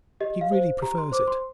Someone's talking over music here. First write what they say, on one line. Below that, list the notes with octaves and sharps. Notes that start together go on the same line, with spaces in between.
He really prefers it.
G4 D#5
F5
C5
G4 A#5
C6
C5 D6
C6